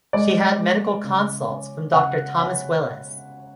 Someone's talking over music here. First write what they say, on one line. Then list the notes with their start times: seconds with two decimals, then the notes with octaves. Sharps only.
She had medical consults from Doctor Thomas Willis.
0.13 G#3 D5
0.58 G#3
1.04 C#3
1.48 C#4
1.93 C#3 F#5
2.38 C#4 B5